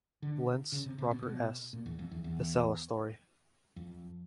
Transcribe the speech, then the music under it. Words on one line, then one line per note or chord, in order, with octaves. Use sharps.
Lince, Robert S. "The Selah Story".
D3
C#3
C3
C3
B2
B2
A#2
E2
F2
E2
E2
F2